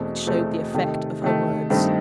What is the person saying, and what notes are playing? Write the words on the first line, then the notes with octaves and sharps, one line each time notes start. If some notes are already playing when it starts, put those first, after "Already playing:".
It showed the effect of her words.
Already playing: E2 B2 A3 C4
E2 B2 A3 C4
C3 D#3 A3
C3 D#3 A3
G2 D#3 A3 C4 D#4